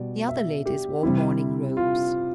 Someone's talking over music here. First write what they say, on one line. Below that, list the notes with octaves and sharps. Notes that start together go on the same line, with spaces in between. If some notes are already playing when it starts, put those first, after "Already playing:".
The other ladies wore morning robes.
Already playing: B2 G3 D5
E5
G4
C3 G3 C4 E4
F4